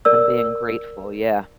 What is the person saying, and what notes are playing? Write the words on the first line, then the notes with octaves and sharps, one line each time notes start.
And being grateful. Yeah.
A#4 D5 E6